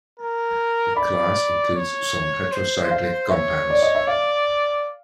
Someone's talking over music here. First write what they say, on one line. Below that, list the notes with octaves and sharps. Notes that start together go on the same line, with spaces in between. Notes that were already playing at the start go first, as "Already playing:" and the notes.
The class includes some heterocyclic compounds.
A#4
D5 B5
C#5
C5
F5
C#5 E5
D5
D#5
E5
D5 F5